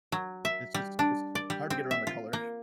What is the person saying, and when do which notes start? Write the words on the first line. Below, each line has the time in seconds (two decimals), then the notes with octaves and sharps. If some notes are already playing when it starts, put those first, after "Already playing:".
It's just it's hard to get around the color.
0.12 F#3
0.45 E5
0.74 G3
0.99 D4
1.35 D5
1.50 G3
1.70 C4
1.91 E5
2.07 F4
2.33 A#3